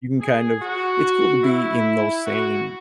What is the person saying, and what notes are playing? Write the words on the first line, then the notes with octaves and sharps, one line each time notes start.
you can, kind of it's cool to be in those same
G#4
F#4
E4
F#4